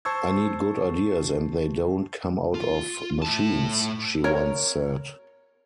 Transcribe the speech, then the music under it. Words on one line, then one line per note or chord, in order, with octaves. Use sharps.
"I need good ideas, and they don't come out of machines", she once said.
C5 A5 C#6 E6 G#6
F4
A2 A5
A#4 C#5